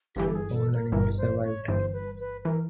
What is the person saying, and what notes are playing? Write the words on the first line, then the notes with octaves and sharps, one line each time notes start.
All animals survived.
G1 G2 E3 G4
A4
G#4
A4
A#4
G1 G2 E3 A#4
C5
C#5
G1 G2 E3 C5
B4
B4
E3 A#4